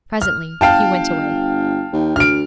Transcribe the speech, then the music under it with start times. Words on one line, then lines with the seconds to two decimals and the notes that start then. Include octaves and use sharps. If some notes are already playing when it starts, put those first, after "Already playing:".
Presently he went away.
0.22 F6
0.61 G1 F5 G5 A5
1.93 D#2
2.16 D2 F6 D7